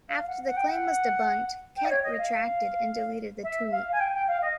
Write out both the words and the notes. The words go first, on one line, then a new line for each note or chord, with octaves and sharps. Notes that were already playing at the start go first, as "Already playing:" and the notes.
After the claim was debunked, Kent retracted and deleted the tweet.
F5
F#5
F#5
G5
F#5
G5
D5
C#5
D#5
F5
E5
F5
G#5
G5
G5
F5
D#5